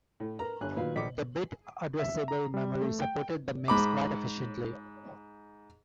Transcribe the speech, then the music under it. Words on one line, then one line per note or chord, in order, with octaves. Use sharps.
The bit addressable memory supported the mix quite efficiently.
A2
A#4 B4 A#5
G1 G2 C#5 G#5 F#6
A#2 D#3 F#3 B4 F5
A#1 D#5 D6 B6 C#7
E5
A#5
G3
A3
G5
G#2 B5 D6